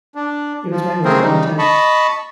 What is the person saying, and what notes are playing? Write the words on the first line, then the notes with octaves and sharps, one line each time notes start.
it was right on the tip of my tongue.
D4
F3
C#3 A3 C4 G#4 A#4 C5
C#3 G3 D#4
D#5 A5 B5 C#6